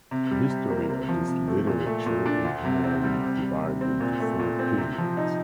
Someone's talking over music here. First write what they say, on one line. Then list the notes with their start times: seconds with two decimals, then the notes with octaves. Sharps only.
The history of this literature is generally divided into four periods.
0.11 C3
0.31 G3
0.50 C3
0.70 A#3
0.89 C3
1.09 F3
1.28 C3
1.48 A3
1.67 A#2
1.87 A3
2.06 A#2
2.26 D4
2.45 D2
2.65 C3
2.84 C4
3.04 G3
3.23 C3
3.42 G3
3.62 C3
3.81 C4
4.01 A#2
4.20 A3
4.39 A#2
4.59 C4
4.78 C3
4.98 F3
5.17 D#4